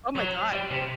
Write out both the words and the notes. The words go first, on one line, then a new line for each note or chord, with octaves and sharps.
Oh my god.
F#3
G3
C3